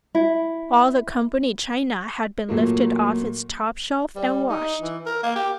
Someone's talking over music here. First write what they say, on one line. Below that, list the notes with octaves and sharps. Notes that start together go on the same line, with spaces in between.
All the company china had been lifted off its top shelf and washed.
E4
A#2 F#3 A3 A#3
G3
D#4
E3
A#4
A#3
G4